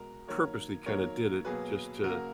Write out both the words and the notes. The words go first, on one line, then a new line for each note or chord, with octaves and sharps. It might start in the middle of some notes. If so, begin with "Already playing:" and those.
purposely kinda did it just to
Already playing: B2 G#3 F#4 A#4
D#3 F#3 A#3 A#4 C#5
D#3 F#3 A#3 A#4 C#5
B2 F#3 A#3 G#4 B4
C#3 F#3 A#3 F#4 A#4